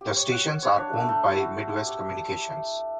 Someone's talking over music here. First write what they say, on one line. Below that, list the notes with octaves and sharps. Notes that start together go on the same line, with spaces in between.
The stations are owned by Midwest Communications.
G4
C#5
F#5
C#5
D4
A3
A3
F#4
E4
F#4
G4